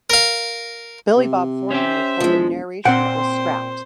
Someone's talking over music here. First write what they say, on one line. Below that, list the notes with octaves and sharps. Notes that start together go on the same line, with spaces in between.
Billy Bob Thornton recorded narration that was scrapped.
A#4 F5
C3
C#4 G4 C5 E5
E1 F3 G#3
A#2 C4 C5 F#5 G5 C6